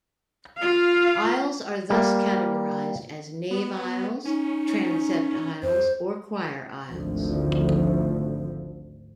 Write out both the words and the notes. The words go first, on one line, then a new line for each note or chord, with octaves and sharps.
Aisles are thus categorized as "nave-aisles", "transept-aisles" or "choir-aisles".
F4 F5
G3 A#3
B3
C#4 D#4
F2 C5
G#1 D2 D3 F3